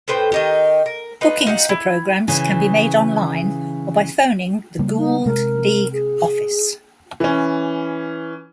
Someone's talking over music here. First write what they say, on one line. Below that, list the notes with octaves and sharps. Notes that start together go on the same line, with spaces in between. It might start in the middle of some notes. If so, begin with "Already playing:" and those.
Bookings for programs can be made online or by phoning the Gould League office.
A2 B4 C5 G5
D#3 D#4 G4
A#4
D#4 F4 B4
D#4 G4 F5 F#5
E4
C#3 E3
C#3 G3 A#3
D#4
C3 G#3 A#4
G#4
E3 C#4